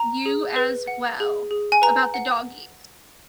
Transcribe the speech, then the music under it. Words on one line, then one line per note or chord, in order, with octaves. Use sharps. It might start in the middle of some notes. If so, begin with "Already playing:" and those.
You as well, about the doggies.
Already playing: A#5
G#4
B4
F#5
G#4
G#4
G#5
B4 A#5
F#5